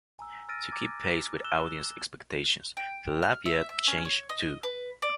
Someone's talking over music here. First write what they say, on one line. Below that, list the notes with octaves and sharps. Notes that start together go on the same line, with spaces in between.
To keep pace with audience expectations, the Lafayette changed, too.
G#5 A#5 E6
E6 F6 A6 A#6 D7 D#7
A#5 D6 G#6 A6
E6 F#6 E7 G7
G5
F6
E5
E5
C#4
C#5
D#5
B4
D5